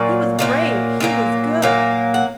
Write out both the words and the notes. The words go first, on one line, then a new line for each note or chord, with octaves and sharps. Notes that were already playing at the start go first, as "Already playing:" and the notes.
"He was brave, he was good!"
Already playing: A#2 F#3 A#3 D5
A#2 F#3 A#3
A#2 F#3 A#3
A#2 F#3 A#3
F#5